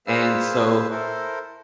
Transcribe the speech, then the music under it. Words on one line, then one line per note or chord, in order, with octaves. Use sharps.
And so
A#3 G#4 B4 C5 F5 E6
E4 A4 A#4 C5